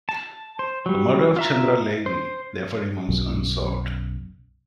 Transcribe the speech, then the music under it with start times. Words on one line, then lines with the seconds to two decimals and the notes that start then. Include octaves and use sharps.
The murder of Chandra Levy therefore remains unsolved.
0.09 A5
0.59 C5
0.86 F#3 G3
1.36 F4 E5 A#5
2.06 C5
3.09 B1 F#2